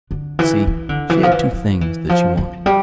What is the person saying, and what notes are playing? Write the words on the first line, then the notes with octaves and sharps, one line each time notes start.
You see, she had two things that she wanted.
D3
E3
E3
D3
E3
F3
E3
F3
E3
F3
F3
G3